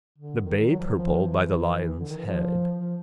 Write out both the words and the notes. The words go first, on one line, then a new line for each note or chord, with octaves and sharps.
The bay purple by the Lion's head.
D3
D#3
F#3
F3
E3
F3
E3
D3
D#3
E3
F3
F3